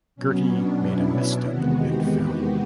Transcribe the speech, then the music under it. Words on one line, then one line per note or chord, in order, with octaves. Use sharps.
Girty made a miss step and fell.
B2 F#3 B3 C#4
D4
E4
E2 C3 D#3 G#3 B3 F#4
G4